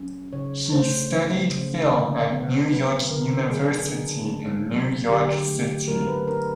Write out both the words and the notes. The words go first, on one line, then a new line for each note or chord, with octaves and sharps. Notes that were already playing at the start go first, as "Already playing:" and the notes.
He studied film at New York University in New York City.
Already playing: F#3 C#4
C#3 C#5
A3 C5
F3
C#3
D3
B3
F#3 B4
D3 A#4
F#3 G#4
D4
A#3
F#3
D3 G4
A3
F#3 A#4
B4
D4 A#4